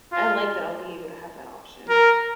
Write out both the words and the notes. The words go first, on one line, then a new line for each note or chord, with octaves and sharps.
I like that I'll be able to have that option.
F4
A#4